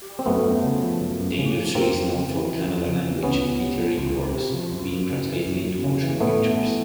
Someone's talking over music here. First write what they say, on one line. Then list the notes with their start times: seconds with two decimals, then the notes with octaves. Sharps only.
The industry is known for Kannada language literary works, being translated into motion pictures.
0.19 C4
0.26 F#2 A3 B3
0.45 F#2
0.63 C#3
0.82 F3
1.01 F#2
1.20 F#2
1.38 C#3
1.56 F3
1.74 F2 A#3 C4
1.93 F2
2.12 C#3
2.31 E3
2.49 F2
2.67 F2
2.87 C#3
3.05 E3
3.23 C#2 B3 C#4
3.42 C#2
3.60 C3
3.79 F3
3.98 C#2
4.16 C#2
4.35 C3
4.54 F3
4.72 F#2
4.91 F#2
5.10 C#3
5.28 E3
5.46 F#2
5.66 F#2
5.84 C#3
6.03 E3
6.20 A2 A3 B3
6.40 A2
6.57 E3